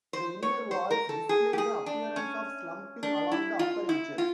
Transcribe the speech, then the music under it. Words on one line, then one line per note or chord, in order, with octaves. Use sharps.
The inner walls display the appearance of slumping along the upper edges.
C5
C#5
C5
A#4
A4
G#4
G4
G#4
D4
C#4
D4
E4
F4
E4
F4